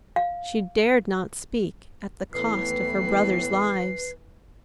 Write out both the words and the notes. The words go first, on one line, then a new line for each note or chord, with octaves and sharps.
She dared not speak, at the cost of her brothers' lives.
F5
D#2 A2 E3 B3 B4 C7